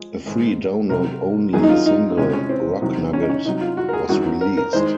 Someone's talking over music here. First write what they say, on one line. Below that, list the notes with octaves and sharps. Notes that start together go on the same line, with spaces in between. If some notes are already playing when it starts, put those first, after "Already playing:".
A free download-only single "Rock Nugget" was released.
Already playing: F3 G#3
G#2 D#3 G#3
C3 F#3 A#4
F#2 D#3 F#3 G#4
D#4
F4
D#4
C3 F3 G#3 C#4
C#4
C4
C3 D#3 F#3
C#4
D#4
C#4
C3 F#3 D#4
F4
F#4
A#4
G#4
F#2 D#3 F#3 F#4
A#4
A#4
D#3 G#3 C5